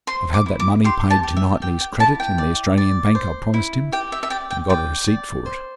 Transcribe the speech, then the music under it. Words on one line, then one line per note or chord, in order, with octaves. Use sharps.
I've had that money paid to Knightley's credit in the Australian Bank I promised him, and got a receipt for it.'
C5 C6
D6
E4
D6
G4 C6
A5
G4
E5
G4 G5
G5
E4 A5
G5
D5
D5
C5
E4
G4 G5
E5
E5
D5 G5
G5
D5 G5
D5
C5